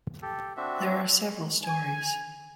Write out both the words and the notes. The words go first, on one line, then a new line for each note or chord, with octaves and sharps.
There are several stories.
G4 A4
C4 D4 F#4 E5
G#5